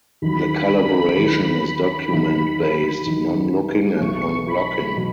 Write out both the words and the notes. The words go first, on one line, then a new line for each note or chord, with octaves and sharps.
The collaboration is document-based, non-locking, and non-blocking.
D#2 D#3 F#3 B5
D#2 D#3 F#3
D#2 D#3 F#3
D#2 D#3 F#3
B1 B2 F#3 A3 C#6
B5
B2 F#3